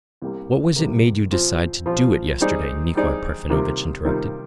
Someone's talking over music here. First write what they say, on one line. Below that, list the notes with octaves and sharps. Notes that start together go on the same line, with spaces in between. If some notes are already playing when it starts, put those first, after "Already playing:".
"What was it made you decide to do it yesterday?" Nikolay Parfenovitch interrupted.
C2 C3 G3 A#3
C2 C3 G3 A#3
A#2 F3 C4 F4
A#2 F3 C4 F4
G3 C4 D#4 G#4 D5
G3 C4 D#4 G#4 D5
C3 D#3 G3 A#3 F4
C3 D#3 G3 A#3 F4